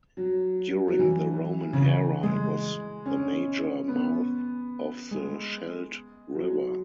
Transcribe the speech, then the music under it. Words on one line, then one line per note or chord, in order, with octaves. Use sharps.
During the Roman Era it was the major mouth of the Scheldt River.
F#3
F#3
E3
C#3
E3
G#3
C#4
B3
G#3
F#3